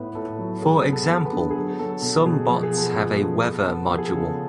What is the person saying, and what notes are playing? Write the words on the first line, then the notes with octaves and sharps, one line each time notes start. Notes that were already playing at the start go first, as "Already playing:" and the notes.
For example, some bots have a 'weather' module.
Already playing: A2 B3 B4
A2 A4
F#3
B3 G#4
B3
A4
B3
B4
D3
G#4
F#3 A4
F#3 A4
B2 A4
B2 G#4
F3 A4
G#4
B3 A4
F3 A4
F3
B3 A4
B3
F3 A4
G#4
A4
C#3